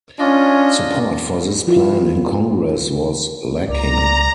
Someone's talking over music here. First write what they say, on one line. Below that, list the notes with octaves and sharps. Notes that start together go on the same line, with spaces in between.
Support for this plan in Congress was lacking.
C#4 D4 F4 D#5
F3 E4 F4
C#2 D5 A#5